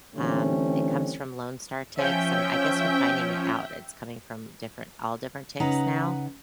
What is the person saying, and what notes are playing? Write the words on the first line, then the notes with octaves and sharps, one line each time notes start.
um, it comes from lone star ticks, and I guess we're finding it out it's coming from different all different ticks now.
D3 E3 G3 A3 C4 C#4
F3 C#4 E5 G5
C#3 D#4 B4 F#5 A#5